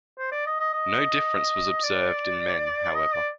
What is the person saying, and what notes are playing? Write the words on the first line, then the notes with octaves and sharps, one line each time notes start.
No difference was observed in men, however.
C5
D5
D#5
D#5
D#5
D5
D#5
D5